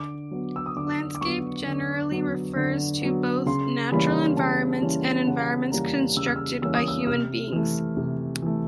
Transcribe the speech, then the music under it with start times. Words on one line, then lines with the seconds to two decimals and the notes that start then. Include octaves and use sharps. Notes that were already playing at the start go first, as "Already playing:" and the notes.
Landscape generally refers to both natural environments and environments constructed by human beings.
Already playing: D3 D6
0.31 F#3 B3
0.56 E6
0.66 D#6
0.76 D3 D6
1.15 D6
1.21 F#3 B3 C#6
1.66 D3
2.12 F#3 B3
2.56 D3
3.02 F#3 B3
3.46 C#3 C6
3.92 E3 G3 A#3 C#4 B5
4.37 C#3 A5
4.82 E3 G3 A#3 C#4
5.27 C#3 F#5
5.72 E3 G3 A#3 C#4 A#5
6.17 C#3 E6
6.26 F6
6.36 E6
6.62 E3 G3 A#3 C#4 E6
6.75 D#6
6.88 E6
7.07 C3 F6
7.52 E3 A3
7.97 C3
8.42 E3 A3